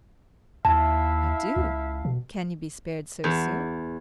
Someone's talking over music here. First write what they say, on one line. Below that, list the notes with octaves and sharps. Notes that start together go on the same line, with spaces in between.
"I do: can you be spared so soon?"
D#2 E4 E5 F5 A5
C#2
B2
E2